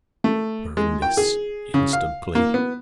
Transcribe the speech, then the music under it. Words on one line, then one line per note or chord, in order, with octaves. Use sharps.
Burn this instantly.'
A3
G#3
G5
G#4
C#3
F5
A#3
B3